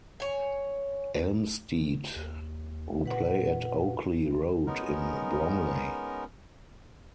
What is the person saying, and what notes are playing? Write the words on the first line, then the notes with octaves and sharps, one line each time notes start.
Elmstead, who play at Oakley Road in Bromley.
C#5 G#5
D#2
A#2 B4 F#5
G#3 B3 C#4 D#4 A#4